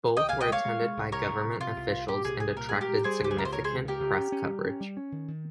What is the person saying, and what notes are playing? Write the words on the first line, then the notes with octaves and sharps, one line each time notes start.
Both were attended by government officials, and attracted significant press coverage.
C2 D#5 G5
C2 F5 G#5
D#5 G5
G#3 C#5 F5
G#3
G#3
C2
C2 A#4 C#5
C2
C3
C3 F4
C2
C2
A#2 G4
C2 G#4
C2 G#4
A#2 A#4
G#3 G#4
G4 A#4
G#3
G3 G#4 C5
C#2 G4
G#4
C#2 A#4
C5
C#2 A#4 C#5
C#2 G#4 C5
C#3 G4 A#4
C#2
C#4
C#4
G3
C#4
G3
C#4
D#3
D#3